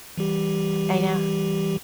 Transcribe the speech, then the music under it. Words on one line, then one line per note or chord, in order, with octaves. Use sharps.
I know.
E3 G3 G4